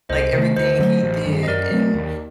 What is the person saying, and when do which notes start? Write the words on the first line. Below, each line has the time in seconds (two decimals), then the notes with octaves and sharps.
like, everything he did and,
0.10 C2 C5 D#5
0.33 C3 D#3 A3
0.56 D2 C5 D#5
0.79 D3 F#3 A3
1.03 A1
1.25 G2 D#3 G3
1.43 D#5
1.48 F#2 A#4 D5
1.71 F#3 A3 C4
1.94 D#2